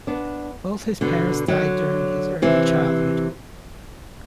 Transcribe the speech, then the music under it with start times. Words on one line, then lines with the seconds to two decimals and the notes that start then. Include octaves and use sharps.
Both his parents died during his early childhood.
0.07 B3 D4
1.01 B2 D3
1.48 D3 F#3
2.42 C3 E3